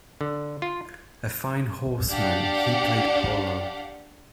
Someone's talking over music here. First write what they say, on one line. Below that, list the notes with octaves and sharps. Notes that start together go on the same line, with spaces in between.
A fine horseman, he played polo.
D3
F4
D4 G4 D5 F5 F#5